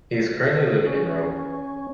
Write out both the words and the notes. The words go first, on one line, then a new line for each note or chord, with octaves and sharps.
He is currently living in Rome.
C#4